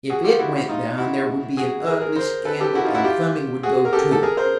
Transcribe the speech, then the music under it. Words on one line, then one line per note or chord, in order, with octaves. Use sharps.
If it went down there would be an ugly scandal, and Fleming would go too.
F#4 G#4
F4 G4
E4 F#4
D#4 F4
E4 F#4
F#4 G#4
G#4 A#4
G#4 A#4
A#4 C5
A4 B4
G4 A4
E4 F#4
D#4 F4
E4 F#4
F4 G4
F#4 G#4
A#4
G4 A4
A4
G#4 A#4
A#4 C5